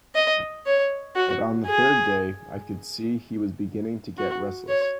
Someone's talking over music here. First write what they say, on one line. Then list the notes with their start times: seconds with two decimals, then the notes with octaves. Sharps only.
But on the third day I could see he was beginning to get restless.
0.15 D#5
0.66 C#5
1.16 F#4
1.66 G#4
4.18 F#4
4.68 C#5